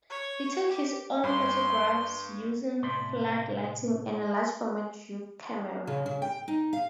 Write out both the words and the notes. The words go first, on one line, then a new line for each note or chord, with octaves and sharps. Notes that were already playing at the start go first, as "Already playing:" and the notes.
He took his own photographs using flood lighting and a large format view camera.
C#5
G4
G2 B5 C6
A2 C3 A3 D5 B5 C6
C#3
C#3
G5
D#4
F5